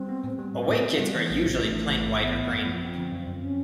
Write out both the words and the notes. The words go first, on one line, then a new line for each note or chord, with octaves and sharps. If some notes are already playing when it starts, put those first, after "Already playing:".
Away kits are usually plain white or green.
Already playing: G3 C4
B3
A2
G3 B3
A2 C4
A2
B3
G3 B3
E3
A1
A1
A1 A3
E3
A1
G#2
E3 B3
A1
F#2
F3
F3 C4
D3
F#2
F#2
C#4